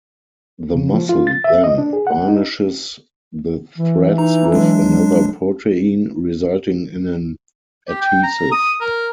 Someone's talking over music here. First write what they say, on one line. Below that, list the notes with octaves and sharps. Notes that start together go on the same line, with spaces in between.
The mussel then varnishes the threads with another protein, resulting in an adhesive.
C#3
F3
F4
A6
E5
D#5
D4
G#4
F#5
D#4
E3
D#4 A#5
F#3 G#3 D4
G4
G5
A#5
D#6
A#4